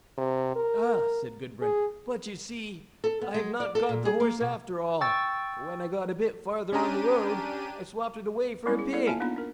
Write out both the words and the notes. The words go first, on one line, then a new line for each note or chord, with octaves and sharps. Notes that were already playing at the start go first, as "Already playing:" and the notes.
'Ah!' said Gudbrand, 'but you see I've not got the horse after all; for when I got a bit farther on the road, I swopped it away for a pig.'
C3
A#4
G#4
A4
B3
G#3
D5
A4
A#2
G#4
A#3
B2
G5 C#6 E6 A6
C#4 D4 G4 A#5 D#7
G3 G#3 B3 C#4 E4
G#4
B3 E4 A4 D5
A#3 F4 E5 G#5 A5
B3 D4 D#4 F4
D4 A#4